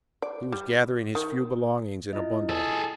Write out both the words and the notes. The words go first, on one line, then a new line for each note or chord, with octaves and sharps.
He was gathering his few belongings in a bundle.
D5
G3
D#3
E4 F4 D#5
G#4 A4